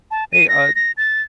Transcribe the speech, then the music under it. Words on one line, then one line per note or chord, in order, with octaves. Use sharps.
Hey, uh,
A5
D#7
A#6
A#6
A6